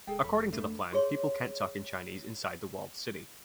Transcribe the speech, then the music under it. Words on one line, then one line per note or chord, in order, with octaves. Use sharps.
"According to the plan, people can't talk in Chinese inside the walled-city".
F1 G#3 G#4 A4 G5
F2 A4 C#5 B5
A3 D4
G4 G#4 C#5 C6